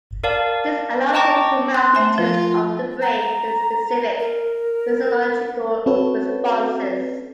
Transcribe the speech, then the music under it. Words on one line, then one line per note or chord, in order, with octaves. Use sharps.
This allowed him to map regions of the brain to specific physiological responses.
A#4 D5 F5 A5
D#5 G5 A5 A#5 C#6 D6
C6 F#6
A3 E5 G#5
F3 F4
A#5
A#4
C4 C#4 F#4 A4 B4 C#5